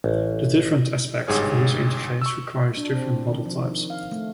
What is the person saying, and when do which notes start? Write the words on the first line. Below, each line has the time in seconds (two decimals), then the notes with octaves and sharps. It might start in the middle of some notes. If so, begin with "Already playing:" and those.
The different aspects of a user interface requires different model types.
0.04 A1
1.27 G1 G#2 G4 G#4 C#5 F6
2.22 C#6 E6
2.77 D4
2.92 C4
3.27 D#3
3.46 F3
3.61 D#3
3.90 F5
4.12 A3